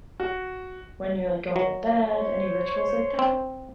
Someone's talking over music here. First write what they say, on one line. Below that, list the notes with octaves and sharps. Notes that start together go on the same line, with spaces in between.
when you're, like, going to bed? Any rituals like that?
F#4
F#3
C5 C#5
C4